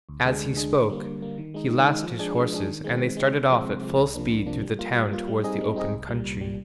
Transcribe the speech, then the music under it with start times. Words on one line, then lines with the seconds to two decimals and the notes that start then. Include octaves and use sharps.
As he spoke he lashed his horses and they started off at full speed through the town towards the open country.
0.09 D2
0.25 D3 G#3 D4 G#4
0.41 D2
0.57 D3 G#3 D4 G#4
0.73 D3
0.90 G3 A#3
1.05 D3
1.22 G3 A#3
1.38 D#3
1.54 G#3 D#4
1.70 D#3
1.87 G#3 D#4
2.03 F3
2.19 G#3 D4 G#4
2.35 F3
2.52 G#3 D4 G#4
2.68 D#3
2.84 G#3 C4
3.00 D#3
3.17 G#3 C4
3.33 C3
3.49 F3 G#3 C4
3.65 C3
3.81 F3 G#3 C4
3.97 C2
4.14 C3 F3 A#3 D4
4.30 C2
4.46 C3 F3 A#3 D4
4.63 G3
4.79 A#3 F4
4.96 G3
5.11 A#3 F4
5.28 G3
5.44 C4 D#4 G#4 D#5
5.60 G3
5.76 C4 D#4 G#4 D#5
5.92 C2
6.09 A#2 G3
6.25 C2
6.41 A#2 G3